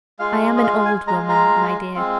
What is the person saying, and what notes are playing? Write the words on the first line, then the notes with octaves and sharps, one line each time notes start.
I am an old woman, my dear.
G#3 F4 F5
D#5
F5
G#5
G#3 F4 A#5
A#5
G#3 C4 F4